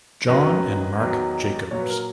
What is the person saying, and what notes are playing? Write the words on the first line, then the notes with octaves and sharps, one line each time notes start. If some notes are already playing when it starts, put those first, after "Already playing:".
John, and Marc Jacobs.
F#2 D#3 F#3 B4 D#5
E2 D#3 F#3
A#2 F#3 C#5
B4
A#4